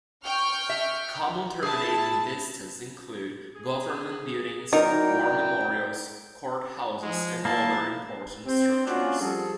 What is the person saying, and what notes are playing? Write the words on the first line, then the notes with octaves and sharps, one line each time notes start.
Common terminating vistas include government buildings, war memorials, courthouses and other important structures.
G5 C#6 F6
E5
E4 G#4 A5
G#4
F#3 D#4 E4 A#4 D5 G5
F3 G#3
A#3 E4 A5
C4
A#3 C#4 D4 F4 F#4
F3 G3 G#4 A4